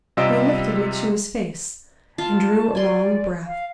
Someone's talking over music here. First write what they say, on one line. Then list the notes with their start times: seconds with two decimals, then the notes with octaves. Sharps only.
He lifted it to his face, and drew a long breath.
0.17 C3 G3 F4 D#5 E6 D7
2.18 F4 F5 A5
2.75 D5 G#5 C6
3.47 F5